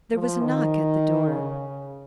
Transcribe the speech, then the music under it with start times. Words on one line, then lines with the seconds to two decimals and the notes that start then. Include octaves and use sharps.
There was a knock at the door.
0.13 F3
0.42 D#3
1.28 C#3